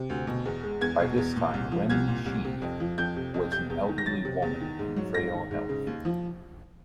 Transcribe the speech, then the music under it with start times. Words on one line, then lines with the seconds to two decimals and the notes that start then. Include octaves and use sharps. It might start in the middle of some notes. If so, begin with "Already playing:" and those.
By this time, Wen Shi was an elderly woman in frail health.
Already playing: C3
0.09 D2
0.27 B2
0.45 E2
0.63 G#3
0.81 E2 G#6
0.99 B2
1.18 E2
1.36 A#2
1.54 C2
1.72 F3
1.90 C2 G#6
2.08 A#2
2.26 C2
2.45 C3
2.62 F2
2.80 F3
2.98 F2 G6
3.16 C3
3.34 F2
3.52 C3 G6
3.70 E2
3.88 D#3
3.98 A#6
4.06 F#3 A6
4.25 C3
4.42 E2
4.60 D#3
4.79 G#2
4.96 F#3
5.14 G#2 A#6
5.33 D#3
5.51 G#2
5.69 C#3
5.87 D#2
6.05 F3